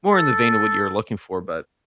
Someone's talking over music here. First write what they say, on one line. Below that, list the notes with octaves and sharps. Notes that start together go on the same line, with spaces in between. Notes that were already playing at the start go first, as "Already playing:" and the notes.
more in the vein of what you're looking for, but,
A4